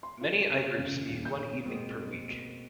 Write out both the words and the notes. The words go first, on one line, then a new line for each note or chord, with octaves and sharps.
Many I-Groups meet one evening per week.
C6
F4
A4
C4
C#5
C#3
C#3
D#1
G6
B2 G#3 A#3 C4